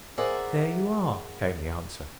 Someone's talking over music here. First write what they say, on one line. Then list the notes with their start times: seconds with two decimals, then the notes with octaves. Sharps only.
"There you are," came the answer.
0.18 G#4 A#4 C5 D5 E5 F#5